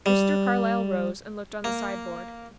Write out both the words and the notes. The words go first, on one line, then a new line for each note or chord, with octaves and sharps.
Mr. Carlyle rose and looked on the side-board.
G3
A#3